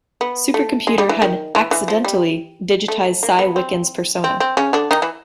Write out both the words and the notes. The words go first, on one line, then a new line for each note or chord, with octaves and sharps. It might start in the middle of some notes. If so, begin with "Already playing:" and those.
Supercomputer had "accidentally" digitized Sy Wickens' persona.
B3
A3
G#3
G3
E3
D#3
E3
E3
F3
G3
A3
A#3
B3
C4
C4
C4
C#3 C#4
D3 D4
D#3 D#4
E3 E4